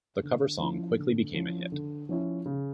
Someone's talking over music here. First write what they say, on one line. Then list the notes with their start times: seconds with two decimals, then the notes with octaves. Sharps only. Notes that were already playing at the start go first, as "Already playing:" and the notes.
The cover song quickly became a hit.
0.23 D3
0.60 F3 C#4 E4
0.98 D3
1.34 F3 C#4 E4
1.72 D3
2.09 F3 C#4 E4
2.46 C#3